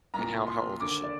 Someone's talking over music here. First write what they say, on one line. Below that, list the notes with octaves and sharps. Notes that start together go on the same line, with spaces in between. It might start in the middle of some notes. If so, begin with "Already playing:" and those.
And how how old is she?
C2 A#2 A#5
C6
D#2 D3 D6
D5